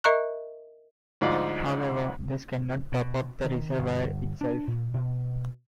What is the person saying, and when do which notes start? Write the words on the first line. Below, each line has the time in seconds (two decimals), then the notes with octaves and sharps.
However this cannot top up the reservoir itself.
0.04 A#4 D#5 E5 A#5 C#6 F#6
1.21 D2 G#2 F3 D#4 D5
2.92 B2
3.44 D#3
3.79 G1
4.41 D4
4.67 A#2
4.94 B2